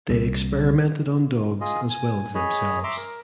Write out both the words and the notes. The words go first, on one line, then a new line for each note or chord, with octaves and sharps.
They experimented on dogs as well as themselves.
C2
F4 G#4 D#5
G#5
G#4 C#5 D#5 B5
E5 A#5 C6 D6
A#4